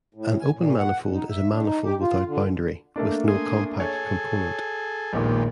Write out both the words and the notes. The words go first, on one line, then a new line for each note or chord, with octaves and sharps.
An open manifold is a manifold without boundary with no compact component.
A2
G#5
A#2
F#5
F2
D#4
E5
D4
D#4
G4
F4
D3
A3 A#3 D4
G#5 C6 D#6
G#4 A4 C#5 G#5
A#1 D#2 A#2 G#3 B3 G4